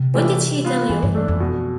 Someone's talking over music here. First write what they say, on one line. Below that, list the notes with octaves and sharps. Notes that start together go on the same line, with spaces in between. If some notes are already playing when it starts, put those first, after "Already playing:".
When did she tell you?
Already playing: C3
E3 A3 D4 G4
G3
B3 F4
G2 E3
G2
A3 D4
F2
B2